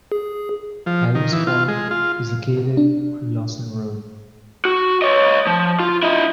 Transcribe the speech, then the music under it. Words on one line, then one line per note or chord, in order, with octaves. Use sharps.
Adams Park is located on Lawson road.
G#4
F3
D#3
E3
F4
G#3
F4
D4
F#4
C#5 D#5
F3
F4
E4 D#5